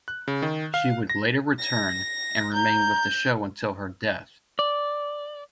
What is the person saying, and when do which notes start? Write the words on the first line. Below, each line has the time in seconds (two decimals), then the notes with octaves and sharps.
She would later return and remain with the show until her death.
0.08 F#6
0.28 C#3
0.42 D#3
0.74 F5
1.10 A#6
1.59 A#6
2.53 A#5 G6
4.59 D5